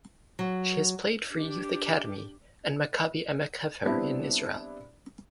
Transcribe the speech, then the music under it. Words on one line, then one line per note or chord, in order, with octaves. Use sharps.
She has played for Youth Academy and Maccabi Emek Hefer in Israel.
F#3
D4 G4
G3 B3 C4 D4 E4